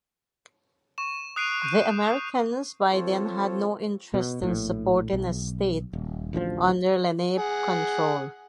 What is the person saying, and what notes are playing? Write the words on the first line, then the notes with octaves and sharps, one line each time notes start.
The Americans by then had no interest in supporting a state under Lenape control.
C#6 E7
D#6 F#6 C7 D7 D#7 F7
C#6 G6 D#7
F3 C4 F4 A4 C5 C#5
B2
A#1 A2
B1
D#1
A1 D2 E3 F3
G#4 F#5